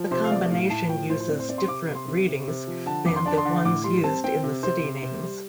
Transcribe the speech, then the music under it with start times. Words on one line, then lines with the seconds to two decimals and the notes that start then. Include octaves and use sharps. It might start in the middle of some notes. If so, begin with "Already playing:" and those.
The combination uses different readings than the ones used in the city names.
Already playing: F3
0.11 C3 C5
0.24 F5
0.31 A3 D5
0.51 A2 F5
0.70 A2 A5
0.89 F3 G5
1.09 A2 C5
1.20 C5
1.29 C4 D5
1.39 C5
1.49 C4 D5
1.58 C6
1.68 C3 D6
1.88 C3
1.95 C6
2.08 C3
2.28 C3
2.48 C3
2.67 F3
2.86 D3 A5
3.06 F2 D6
3.16 C6
3.26 D4 A5
3.38 C6
3.45 D3
3.65 A2 D6
3.84 G3 C6
4.04 C4 A5
4.24 C4 G5
4.43 C3
4.63 C3 C5
4.83 C3
5.02 C3
5.22 G3